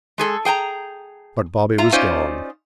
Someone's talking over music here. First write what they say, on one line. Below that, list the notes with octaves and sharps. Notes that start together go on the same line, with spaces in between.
But Bobby was gone.
G#3 G#4 A4
G#4 G5 G#5 A#5
F4 E5 A#5
C#4 D#4 F4 C5 D5 D#5